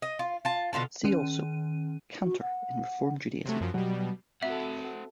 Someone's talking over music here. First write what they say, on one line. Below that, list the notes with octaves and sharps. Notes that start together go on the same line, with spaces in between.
See also: Cantor in Reform Judaism.
D#5
F4
F4 A5
B2 D3 F4 A4
D#3 C#4 D#7
F#4
F#5
C3 F#3 A3
F#2 F3 F#3
B2 F#3 G3 F#4
C4 F#4 A4 E5 F#5